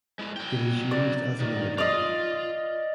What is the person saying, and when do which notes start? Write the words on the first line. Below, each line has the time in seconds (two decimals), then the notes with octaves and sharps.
It is used as an eye drop.
0.19 G#3 E4
0.37 F#3 G5
0.91 D5
1.40 D#3
1.78 F4 D5 D#5